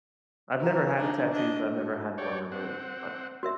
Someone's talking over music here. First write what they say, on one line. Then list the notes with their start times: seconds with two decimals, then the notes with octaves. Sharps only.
I've never had a tattoo, so I've never had one removed but
0.57 F#4 A#4
0.97 D4 D#4
1.31 D4 D#5
1.74 F#4
2.18 C#5 D5 G5
2.52 C4 F#5
3.43 F#4 A#4 E5